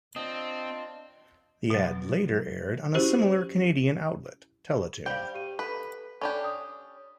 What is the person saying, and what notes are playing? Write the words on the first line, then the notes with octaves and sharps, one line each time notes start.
The ad later aired on a similar Canadian outlet, Teletoon.
C4 D4 F4 D#5 A5
B2 F#3
C#4 E4 F#4 G4 C5
G3 C5 F5 G5
G4 D#7
A4 B4 B5
C#4 D4 G4 A4 D5 B5
D#6